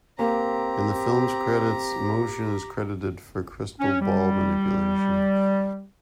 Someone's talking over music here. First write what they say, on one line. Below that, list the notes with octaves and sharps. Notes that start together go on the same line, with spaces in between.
In the film's credits, Moschen is credited for crystal ball manipulation.
A#3 C4 G4 A#5
C#4
G3